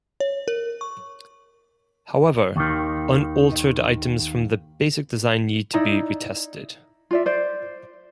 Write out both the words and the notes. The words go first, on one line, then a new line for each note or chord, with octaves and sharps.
However, unaltered items from the basic design need not be retested.
C#5
A#4
C#6
D#2 D#3
D#4 E4 D5 A#5
F4 D5 E5
C5 D5